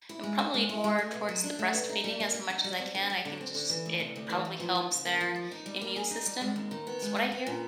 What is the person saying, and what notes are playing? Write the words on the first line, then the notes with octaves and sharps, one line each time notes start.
and probably more towards the breastfeeding as much as I can. I think just it probably helps their immune system. It's what I hear.
E4
G#3
C4
G#3
E4
G#3
A3
B2
F#3
D4
A3
B2
D#4
G3
A#3
G4
D#4
G3
C4
D3
G3
D3
C4
D3
E3
D2
C3
D2
E3
D2
F3
D#2
C#3
A#3
F3
D#2
D#4
G3
A#3
G#4
D#4
G3
G#3
D#2
D#3
B3
G#3
D#2
B3
A#2